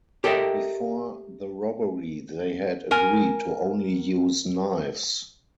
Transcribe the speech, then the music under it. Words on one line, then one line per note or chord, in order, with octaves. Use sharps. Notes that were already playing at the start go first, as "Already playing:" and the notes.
Before the robbery they had agreed to only use knives.
G4 A4 A#4 D#5 E5 G5
A#4 G#5